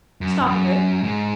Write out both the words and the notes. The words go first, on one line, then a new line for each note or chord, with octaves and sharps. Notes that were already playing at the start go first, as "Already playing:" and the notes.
'Stop a bit.
F#2
F#2
G#2